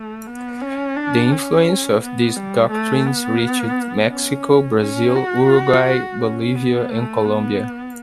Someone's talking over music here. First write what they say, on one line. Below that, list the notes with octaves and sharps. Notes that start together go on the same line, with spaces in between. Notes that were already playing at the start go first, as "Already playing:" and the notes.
The influence of these doctrines reached Mexico, Brazil, Uruguay, Bolivia and Colombia.
Already playing: A3
B3
C#4
D4
C#4
B3
G3
A3
B3
C#4
C#4
F#4
C#4
B3
A3
B3